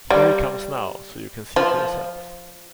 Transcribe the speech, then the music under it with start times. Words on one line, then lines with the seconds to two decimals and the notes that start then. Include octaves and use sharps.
Here he comes now, so you can see for yourself.
0.10 G3
1.56 F3